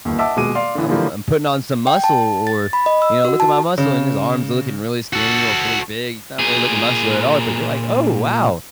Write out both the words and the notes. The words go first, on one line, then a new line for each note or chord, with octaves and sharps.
I'm, I'm putting on some muscle” or, you know, “look at my muscle” and his arms looking really skinny or really big. He's not really looking muscular at all, but you're, like, “Oh, wow,
G1 D#2
D#5 E5 F#5 A5 D6 E6
D#1 B2 G#3 D6 D#7
D5 F5 C6
D3 E3
D3 E3 F3 G3 A3 A#3
G5
A5
A6
B5
D#5
E6
F#4
A5
C#3
F#4 A4
A#2 G#4